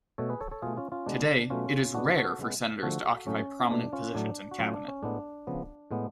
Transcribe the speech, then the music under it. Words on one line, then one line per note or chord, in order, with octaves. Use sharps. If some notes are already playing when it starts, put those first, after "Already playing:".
Today, it is rare for senators to occupy prominent positions in cabinet.
B2 A3 A4 C#5
G#4 B4
A4 C#5
A4 C#5
B2 A3 F4 G#4
C#4 F4
C#4 F4
B2 G#3 B3 D4
B2 F#3 A3 C#4 F4
A2 G#3 B3 D4 F#4
F#4 A4
C#3 G#3 B3
D3 F3 A3 F#4 A4
A2 F#3 A3 C#4
F4
B2 A3 D4
C#4 F4
A2 F#3 A3 D4
F#4
A2 F#3 A3 C#4 F4
D4
C#4
A2 G#3 B3 D4
C#3 F3 B3
A2 G#3 B3